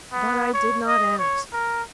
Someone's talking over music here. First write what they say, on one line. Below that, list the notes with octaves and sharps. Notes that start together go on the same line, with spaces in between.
'But I did not ask.
B3
C#5
D#5
C#5
A#4